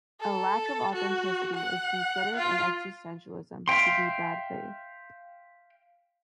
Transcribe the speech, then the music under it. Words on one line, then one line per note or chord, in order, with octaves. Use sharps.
A lack of authenticity is considered in existentialism to be "bad faith".
A4
F#4
F#5
F4
E5 F5 G5 C6